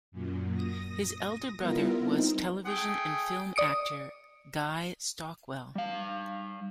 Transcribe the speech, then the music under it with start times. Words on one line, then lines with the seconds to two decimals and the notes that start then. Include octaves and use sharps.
His elder brother was television and film actor Guy Stockwell.
0.12 F#2 A#2
0.53 D#6 A#6
1.59 G3 B3 E4 F4 A#4
2.00 C4 D#4
2.66 A3 G#4 G5
3.56 D5 D#6 C#7 D7
5.75 G3 F5